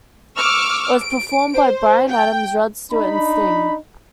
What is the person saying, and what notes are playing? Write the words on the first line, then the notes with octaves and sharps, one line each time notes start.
It was performed by Bryan Adams, Rod Stewart and Sting.
C#6 D6 E6 F6
D7
C5
G5
D4 D#4 B5